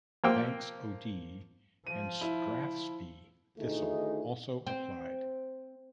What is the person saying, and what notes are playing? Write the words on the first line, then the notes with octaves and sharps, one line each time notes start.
Banks O' Dee and Strathspey Thistle also applied.
F3 A#3 G5 E6
F3 D#7
E4
D2 D#3 A3 D#4 E4 G#4
C4